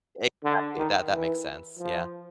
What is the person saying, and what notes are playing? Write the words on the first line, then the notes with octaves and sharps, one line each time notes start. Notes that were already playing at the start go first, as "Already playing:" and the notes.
Exactly, that that makes sense, yeah,
D3
D#3
E3
F3